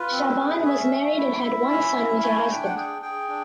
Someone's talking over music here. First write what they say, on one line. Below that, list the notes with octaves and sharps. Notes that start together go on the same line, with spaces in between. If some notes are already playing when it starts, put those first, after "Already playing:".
Shaaban was married and had one son with her husband.
Already playing: F4 B4
C4
G#4
C#4 E5
A3
E4
E4
C#4
E4
A3 G#5
D4 G5
F#5
G#4 G5
G#4 G5
D4